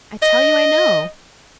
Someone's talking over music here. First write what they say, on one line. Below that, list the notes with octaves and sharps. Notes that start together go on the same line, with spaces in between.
"I tell you I know."
D#5